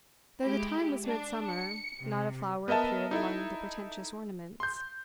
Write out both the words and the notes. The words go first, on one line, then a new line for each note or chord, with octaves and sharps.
Though the time was midsummer, not a flower appeared among the pretentious ornaments.
G#3 E4 G4
D4
C#7
C3
B3 A#4 D#5 E5 A5
D#4 E4 A4 E5
C6 G6